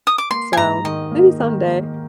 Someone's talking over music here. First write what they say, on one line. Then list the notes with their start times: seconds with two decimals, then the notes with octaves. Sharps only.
So, maybe someday.
0.07 D#6
0.18 D6
0.30 A#3 C6
0.53 G#5
0.57 G#2 A#5
0.84 D#3 D#5
1.11 A#3
1.40 D#3
1.66 A#3